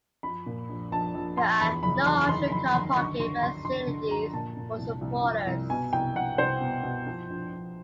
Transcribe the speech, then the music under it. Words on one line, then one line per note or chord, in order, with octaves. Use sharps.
There are no official car parking facilities for supporters.
F3 B5
A#2
A#1
A#1 A5
A#1
A#1 C6
E2 B5
F#1 B5
E2 C6
D#3 C6
F#1 B5
D#3 C6
D2 C#6
D2 C6
D2 C6
D2 C6
D3
F3 A#5
A#2 A5
A#2
C2
C2
F3
C2
B2 G#5
C2 G5
C2 F#5
C2 C5
B2
B2
F3
A#1
A#1